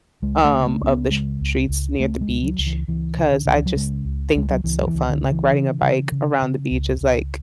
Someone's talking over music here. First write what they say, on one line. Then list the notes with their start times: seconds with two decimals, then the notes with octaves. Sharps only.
um, of the s streets near the beach, 'cause I just think that's so fun, like, riding a bike around the beach is, like, th
0.22 C#2 G#3
0.44 A3
0.52 C#3
0.67 A3
0.81 C#2 C#4
0.89 B3
1.11 C#3 G#3
1.41 C#2
1.69 C#2
1.99 C#2 A3
2.21 G#3
2.28 C#2
2.43 F#3
2.59 C#2
2.66 E3
2.88 C#2 E3
3.17 C#3
3.32 D3
3.45 C#2 D3
3.56 E3
3.66 F#3
3.76 C#3 G#3
4.05 C#2
4.35 C#2 G#3
4.50 F#3
4.64 C#2 E3
4.82 F#3
4.87 E3
4.94 C#2
5.09 D3
5.24 C#3
5.31 E3
5.52 C#3
5.82 C#3
6.12 C#3
6.42 C#3
6.71 C#2
7.01 C#2